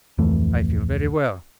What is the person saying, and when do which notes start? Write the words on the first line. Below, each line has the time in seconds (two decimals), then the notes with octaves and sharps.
"I feel very well."
0.18 D1 F2 E3 A3